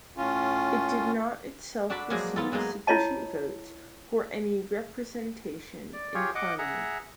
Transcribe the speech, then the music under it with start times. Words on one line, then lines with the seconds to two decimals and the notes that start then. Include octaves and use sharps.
It did not itself receive sufficient votes for any representation in Parliament.
0.17 A2 C#4 F4
1.90 D4 F#4 A4 A5 B5
2.10 F3 F#3 G#3 A#3
2.36 B3 F4 A4
2.52 F#3 G#3 A#3 D#4
2.87 E4 F4 C#5 D#5 A5
5.93 D5
6.14 F4 G4 G#4 C#5
6.35 D#5 F#5 D6
6.58 G#4 E5 F#5 A#5